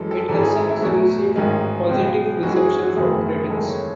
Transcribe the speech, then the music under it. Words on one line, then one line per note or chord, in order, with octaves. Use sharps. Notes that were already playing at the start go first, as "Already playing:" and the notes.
It has since received positive reception from critics.
Already playing: F#2 E3 G#3 A4
A4
G#1 G#2 E3 A4
G#4
E4
E4
E2 B2 F#3 A3 F#4
A1 G#2 D#3 G#3
C#2 B2 G#3
F#2 E3 G#3 F#4
G#4
F#4
F#4
F#1 E2 D#3 A3 G#4
F#1 E2 D#3 G#3 A4
C#5